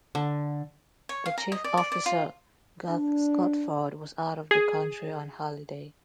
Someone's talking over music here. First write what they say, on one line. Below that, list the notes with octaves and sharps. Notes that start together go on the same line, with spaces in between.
The Chief Officer, Garth Scotford, was out of the country, on holiday.
D3
C#5
F5
A#5
D#5
D5
D5
D5
F4
D4
G#4